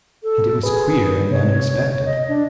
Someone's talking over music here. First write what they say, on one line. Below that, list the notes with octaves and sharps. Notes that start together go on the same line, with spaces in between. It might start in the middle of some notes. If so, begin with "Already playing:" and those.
And it was queer and unexpected.
A4
G#4 B4
C3 C#5
D#5
D4